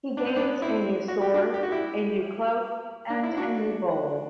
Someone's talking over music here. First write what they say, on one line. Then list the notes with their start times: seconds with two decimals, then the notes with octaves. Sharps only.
He gains a new sword, a new cloak, and a new bowl.
0.17 D4
0.27 C4
0.36 B3 D4
0.62 C4 E4
1.08 F#4
1.22 G4
1.34 D4 F#4
1.54 G4
1.63 F#4
1.71 E4 G4
3.10 D4
3.23 E4
3.37 D4 F#4